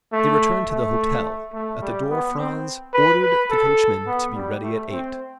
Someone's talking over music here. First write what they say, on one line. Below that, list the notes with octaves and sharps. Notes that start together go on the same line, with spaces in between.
They returned to the hotel; at the door Franz ordered the coachman to be ready at eight.
A3
A3
A3
G3
B3
C4
B4
B4
A4
B3
G3
A3
C4